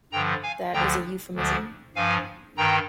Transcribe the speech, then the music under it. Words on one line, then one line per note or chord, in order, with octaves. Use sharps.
That is a euphemism.
G2 D3 F3 G5 A#5
F5 G#5
D2 D3 F3 G5 A#5
D2 D3 F3
G2 F3 F5 G#5
G2 D#3 G5 A#5